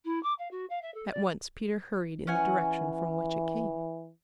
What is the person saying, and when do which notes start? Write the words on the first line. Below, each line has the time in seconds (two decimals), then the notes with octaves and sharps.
At once Peter hurried in the direction from which it came.
0.04 E4
0.23 D6
0.38 F5
0.51 F#4
0.69 F5
0.82 E5
0.94 A4
1.11 D5
2.27 E3 C#4 F#5 G#5